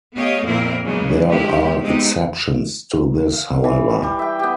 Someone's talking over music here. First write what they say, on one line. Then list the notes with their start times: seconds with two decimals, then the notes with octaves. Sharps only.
There are exceptions to this, however.
0.14 A3 B3 G4 C#5 D#5 F5
0.46 F2 A#2 A#3 C4 E4 A#4
0.84 C#3 F#3 G#3 A#3 B3
1.28 F3 G#3 D4 E4 G4
1.81 G#3 B3 C4 D#4 G4
3.33 F5
3.64 E3
4.03 G3
4.19 E5 G5
4.39 B3 G4